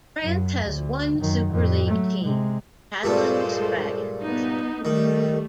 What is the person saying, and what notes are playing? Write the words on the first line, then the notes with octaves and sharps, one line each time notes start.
France has one Super League team, Catalans Dragons.
F#2
D2
F#2 D#3
F2 A2
F#3 A3
C3 G#3
G2 A#2 G#3 A3 A4 C5
B3 D#4
D#3 G3 A3